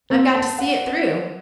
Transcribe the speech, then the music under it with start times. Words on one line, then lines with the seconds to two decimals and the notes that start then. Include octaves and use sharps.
I've got to see it through.
0.10 C4
0.35 A5
0.59 F#5